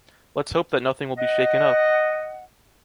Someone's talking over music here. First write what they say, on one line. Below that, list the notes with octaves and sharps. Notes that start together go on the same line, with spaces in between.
Let’s hope that nothing will be shaken up!
D#5 F#5